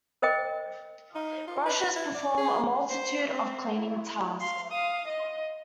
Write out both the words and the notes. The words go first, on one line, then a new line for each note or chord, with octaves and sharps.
Brushes perform a multitude of cleaning tasks.
A#4 C5 D#5 G5 D6
D#4
F4
B4
E4
D5
G#4
C5
C4
E4
F5 C6
F5 D#6
D#5